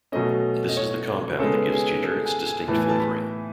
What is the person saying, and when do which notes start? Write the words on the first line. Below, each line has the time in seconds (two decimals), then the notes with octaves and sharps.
This is the compound that gives ginger its distinct flavoring.
0.12 B2 F#3 A3 C#4 D#5
0.69 D#5
0.77 C#5
1.40 C#3 G#3 B3 A4
1.72 G#4
2.04 A4
2.26 G#5
2.46 G#5
2.68 A2 E3 B3 A5
2.78 G#5
2.89 A5
3.00 B5